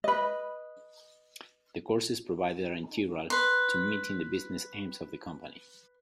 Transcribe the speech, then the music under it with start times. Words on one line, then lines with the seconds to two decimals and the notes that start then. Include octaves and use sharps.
The courses provided are integral to meeting the business aims of the company.
0.04 B4 D#5
3.30 B4 C6